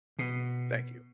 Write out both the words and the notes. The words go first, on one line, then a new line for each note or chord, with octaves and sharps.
Thank you.
B2